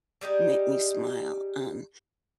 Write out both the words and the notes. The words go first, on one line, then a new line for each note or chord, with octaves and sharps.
make me smile, um,
G3 G#3 D#4 G4